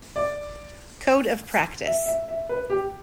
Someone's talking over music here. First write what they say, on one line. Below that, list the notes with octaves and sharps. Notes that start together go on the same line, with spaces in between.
Code of practice.
D5
E5
E5
E5
B4
G4